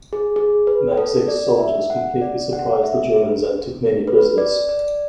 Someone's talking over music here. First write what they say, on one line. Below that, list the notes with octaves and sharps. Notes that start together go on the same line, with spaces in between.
Maczek's soldiers completely surprised the Germans and took many prisoners.
G#4
G#4
B4
A4
D5
E5
F#5
D5
F#5
E5
B4
D5
D5